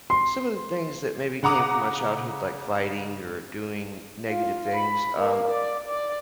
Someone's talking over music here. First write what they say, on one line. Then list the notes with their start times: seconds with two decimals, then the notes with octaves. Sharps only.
some of the things that maybe came from my childhood, like fighting or doing negative things, um,
0.10 C6
1.43 C#3 F#5 A#5 D6 D#6
4.29 F4
4.75 B5
5.19 A#3
5.51 D5
5.87 D5